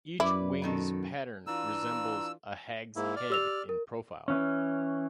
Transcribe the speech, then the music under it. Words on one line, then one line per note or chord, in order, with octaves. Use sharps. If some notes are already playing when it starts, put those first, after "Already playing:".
Each wing's pattern resembles a hag's head in profile.
F#2 E4 B4 D5
B2 D#3 A4
E3 D4 F4 A#5 E6
G#2 A#3 E4
D5 F6
G4 E6 F7
A#4
E3 C#4